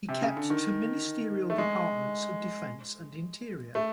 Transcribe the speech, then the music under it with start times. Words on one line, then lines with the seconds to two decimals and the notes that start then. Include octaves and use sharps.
He kept to ministerial departments of defence and interior.
0.09 C3
0.21 C#3
0.37 D3
0.50 D#3
1.50 A3
1.58 G#3
3.75 A3